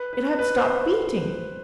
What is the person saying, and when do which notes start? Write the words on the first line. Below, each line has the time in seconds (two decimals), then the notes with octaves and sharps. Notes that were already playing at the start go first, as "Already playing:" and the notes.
It had stopped beating.
Already playing: B4
0.13 B4
0.39 B4
0.56 C5